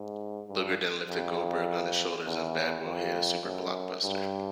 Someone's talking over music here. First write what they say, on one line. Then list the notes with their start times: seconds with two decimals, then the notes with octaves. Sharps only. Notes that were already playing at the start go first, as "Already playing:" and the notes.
Luger then lifted Goldberg on his shoulders and Bagwell hit a Super Blockbuster.
Already playing: G#2
0.48 G2
1.08 F2
2.26 E2
2.85 F2
3.44 F#2
4.03 G2